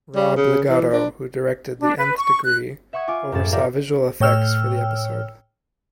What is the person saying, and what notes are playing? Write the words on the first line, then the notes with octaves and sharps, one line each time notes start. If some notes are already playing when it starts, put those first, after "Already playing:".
Rob Legato, who directed "The Nth Degree", oversaw visual effects for the episode.
G3
C#3
E3
D4
D4
B4
C#6
F#6
E5 F#5 C#6 D#6 G#6
F4 G#5 D6
F#2 A2 F3 G#4 A6 E7
F4 G4 A#4 D5 E5 F5
A2 C#5 G5 E6 F6